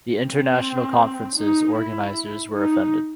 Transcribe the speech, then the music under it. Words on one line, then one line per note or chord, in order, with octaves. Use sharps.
The international conference's organizers were offended.
C4
D#4
E4
D#4